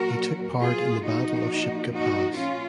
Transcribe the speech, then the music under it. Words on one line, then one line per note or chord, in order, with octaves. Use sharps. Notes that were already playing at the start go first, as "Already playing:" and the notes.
He took part in the Battle of Shipka Pass.
Already playing: A#2 F#3 F#4 A#4
F4 G#4
A#2 F3 D#4 F#4
D#4 F#4
C#4 F4